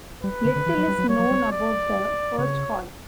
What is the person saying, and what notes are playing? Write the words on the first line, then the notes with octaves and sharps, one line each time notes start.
Little is known about the first hall.
G3 B4
D3
D3
E3
F#3
G3
F#3
G3 C#5
F#3
G3
D5
C#3 C#5